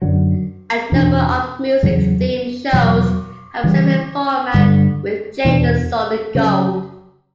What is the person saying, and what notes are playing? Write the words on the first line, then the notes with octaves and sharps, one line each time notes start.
A number of music themed shows have a similar format with Jade Solid Gold.
F#2 D3 F#3
E2 B2 A3 D4
E2 C#3 F#3
E2 B2 F#3
C#3 E3 G3
G2 D3 G3
E2 B2 A3 D4
C#3 F#3 C#4